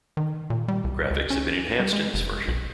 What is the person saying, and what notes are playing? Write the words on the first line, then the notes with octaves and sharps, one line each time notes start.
Graphics have been enhanced in this version.
D#3
A#2
G3
C2
C#2
C#4
G3
G#3
F1
B1